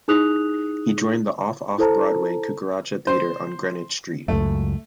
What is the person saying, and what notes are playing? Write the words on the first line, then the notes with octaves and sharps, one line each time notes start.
He joined the off-off-Broadway Cucaracha Theater on Greenwich Street.
D#4 E4 G#4 D#6 F#6 F7
E4 A4 C5 A5 A#5
C5
C#2 F#2 A3